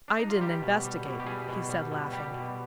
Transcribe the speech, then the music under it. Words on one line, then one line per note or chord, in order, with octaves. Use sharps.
"I didn't investigate," he said, laughing.
D4
D#4
F4
G3 G4
B2
G3
B2
G4
G3 G#4
B2
G3
B2
G3 G4
B2